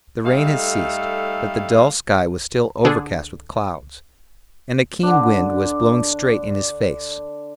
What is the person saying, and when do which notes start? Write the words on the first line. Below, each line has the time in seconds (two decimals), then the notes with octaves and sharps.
The rain had ceased, but the dull sky was still overcast with clouds, and a keen wind was blowing straight in his face.
0.24 G3 A3 D#4 A4 F5
2.85 D3 D4 G#4 A4
5.03 D3 D4